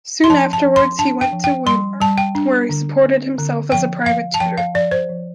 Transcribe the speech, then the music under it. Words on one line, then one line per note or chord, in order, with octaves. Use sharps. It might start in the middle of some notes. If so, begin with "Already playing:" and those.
Soon afterwards he went to Weimar, where he supported himself as a private tutor.
C6
F3 A5
A5
F3
C6
D4 A5
G5
F3
G5
G3 C6
G3 A5
G5
D4
D3
C4
D3
F3 G5
F3 F5
A5
F3 G5
F5
F3 D5
C5
F3